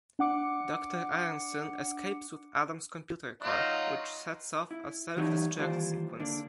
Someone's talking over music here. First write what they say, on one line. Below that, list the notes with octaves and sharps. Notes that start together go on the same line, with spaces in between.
Doctor Aaronson escapes with Adam's computer core, which sets off a self-destruct sequence.
D4 F#5 D6 C#7
F#3 D#4 F4
E4
E3 F#3 G3 B3 D#4 C#5
D#2 E3 G3 F4 C5
D3 A#3 D4